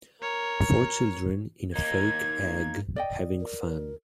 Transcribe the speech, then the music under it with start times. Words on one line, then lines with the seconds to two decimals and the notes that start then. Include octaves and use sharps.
Four children in a fake egg having fun.
0.22 A#4 C#5
1.76 A#3 D#4 G#6
2.96 D5 D#5 G5
3.40 A#4